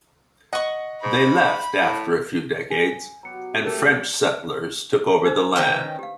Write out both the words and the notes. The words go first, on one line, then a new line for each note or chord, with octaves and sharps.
They left after a few decades and French settlers took over the land.
D#5 F#5 C#6
G#2 B5
A2
G#5
F#3 B3 G4 A#5 C#7
C#3 A3 G4 A#4
D4 D#4 C5
D#3 C#4 C5 G5 A#5
B4 E5
G4 F5